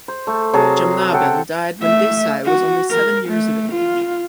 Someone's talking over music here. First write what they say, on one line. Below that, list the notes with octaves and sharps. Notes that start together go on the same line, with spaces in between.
Jamnabehn died when Desai was only seven years of age.
C5
A3
C3 F#3 G#4 A5
A4 F#5 G5
A3 E5
F#4
A#4
A3
F4